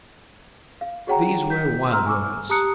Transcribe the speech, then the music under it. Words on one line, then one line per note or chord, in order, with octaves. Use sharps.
These were wild words.
F5
F#4 G#4 C#5 F#5 G5 A#5
G6 B6
A#5 C6 E6 F6
G#5 C#6 D6 E6 F6
G4 A5 A#5 D#6 F#6 C#7